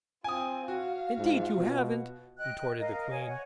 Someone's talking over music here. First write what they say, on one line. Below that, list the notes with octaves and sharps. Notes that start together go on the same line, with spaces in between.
"Indeed you haven't!" retorted the Queen.
C4 F4 G#5 D#6
F#4 F5
G#2 F4
B2
D#5 G5 F#6
A#4 D#5 F5
C#5 D#5 G#5
C#5 F#5